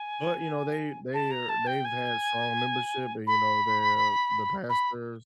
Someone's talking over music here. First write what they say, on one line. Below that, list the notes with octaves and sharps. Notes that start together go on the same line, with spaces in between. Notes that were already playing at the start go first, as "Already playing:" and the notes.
but, you know, they they are they've had strong membership and, you know, their the pastors
Already playing: G#5
A5
A#5
A5
G5
G#5
B5
B5